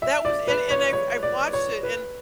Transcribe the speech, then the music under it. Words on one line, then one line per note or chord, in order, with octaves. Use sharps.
That was and and I've I've watched it, and
E5
D5
B4
C#5
C#5
D5
C#5
B4